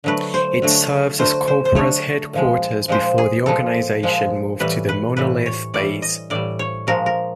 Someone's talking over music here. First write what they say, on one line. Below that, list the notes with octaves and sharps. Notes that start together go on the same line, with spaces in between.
It serves as Cobra's headquarters before the organization moved to the Monolith Base.
D3 F#3 A3 B4
C5
D3 F#3 A3
D3 F#3 A3 C5
C5
C5
D3 F#3 A3 C#5
A#2 F3 G#3
A#2 F3 G#3 C5
G#4
A#2 F3 G#3 A4
A#2 F3 G#3
A2 E3 G3 B4
B4
A2 E3 G3 B4
C#5
A2 E3 G3 D5
D#5
A2 E3 G3 D5
C#5
A#2 F3 G#3 A#4
A#4